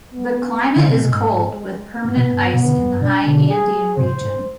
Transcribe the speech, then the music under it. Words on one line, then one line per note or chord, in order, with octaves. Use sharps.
The climate is cold, with permanent ice in the high Andean region.
B3
G#3
D3
C3
B2
G#2
G#2 B3
B2
G2
G2
B2 B3
B2 D3
F2
G2
B2 D4
B2 D3
G#4
G#2 C3 C5
G#2